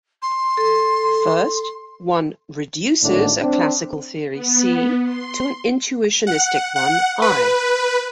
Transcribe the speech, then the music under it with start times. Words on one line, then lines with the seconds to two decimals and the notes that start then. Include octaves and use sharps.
First, one "reduces" a classical theory C to an intuitionistic one I.
0.22 C6
0.57 A4
3.02 G#1 A2 D3 A3 D4
3.41 C4 D4
4.31 B3
5.03 C6
6.27 F#5
6.76 F#5
7.22 B4